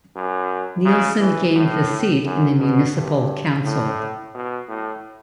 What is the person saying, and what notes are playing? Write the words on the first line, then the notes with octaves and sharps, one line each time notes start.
Nielsen gained the seat in the municipal council.
F#2
C#3
E3
A2
F#2
B2
G2
A2
B2
A2